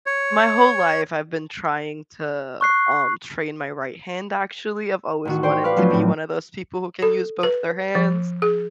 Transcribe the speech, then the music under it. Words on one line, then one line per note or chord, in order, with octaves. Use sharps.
I my whole life, I've been trying to, um, train my right hand, actually, I've always wanted to be one of those people who can use both their hands.
C#5
C#6 F#6 C7
A1 D#3 F#4
C5 D5 G5 C#6
B4 F5 D6 F6
F3 F#3 A3 B3 C#4 F4
A2 C4
A4
B4
F3
G#4